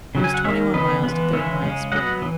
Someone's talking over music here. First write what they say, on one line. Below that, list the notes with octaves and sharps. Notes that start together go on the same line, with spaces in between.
It was twenty-one miles to Thirty Mile Spring.
C#3 F#3 C#4
G#5
F#5
D#3 A#3 C#4 C#5 E5
C#3 E3 B3 B4 D#5
E3 G#3 B3
C#3 E3 G#3 C#4 C#5 E5
C#3 G#3 C#4
F#3 B3 D#5 F#5
E3